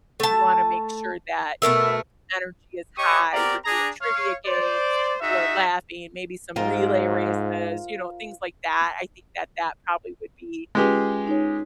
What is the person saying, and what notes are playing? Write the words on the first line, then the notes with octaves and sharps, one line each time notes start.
you wanna make sure that, you know, the energy is high, we're doing trivia games, people are laughing, maybe some relay races, you know, things like that. I think that that probably would be
A3 A5
B2 A3 A#4 E5
G4 C#5 D#5 C#6 D#6
B3 C4 G4 A#4 D5 A#5
D4 G#4 A#5
C#5 F5
C5 D5
D#4 F#4 G#4 E5
G#2 F4 A#4 C5
G#3 C#4 F4 G4 G#4 B4
D#4 C#5